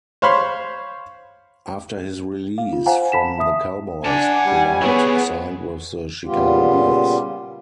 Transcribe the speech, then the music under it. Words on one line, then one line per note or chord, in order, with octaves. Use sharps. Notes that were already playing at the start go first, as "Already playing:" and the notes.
After his release from the Cowboys, Polite signed with the Chicago Bears.
C5 C#5 F5 B5 C6
F5
F4
C5 F5 F#5 G#5 A#5
A5 B5 B6 E7
E5 D#6
D4 F#5 G#5 A5
G3
B3 E4 G#4 C#5
A#2 C#3 G3 B3 F4 G4